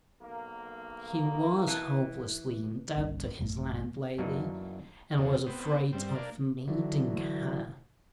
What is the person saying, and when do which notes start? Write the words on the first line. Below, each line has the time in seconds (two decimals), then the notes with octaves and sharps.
He was hopelessly in debt to his landlady, and was afraid of meeting her.
0.22 B1 A#3
1.67 E3
2.96 G1 C2 A#3 C#4
3.39 A1 F#2 A3 A#3
4.18 F#2 E3 F#3 A#3 D4 D#4
5.17 E2 B2 D3
5.46 B3 C4
5.93 G2 C4
6.15 A#3 D4
6.68 D3 E3 F#3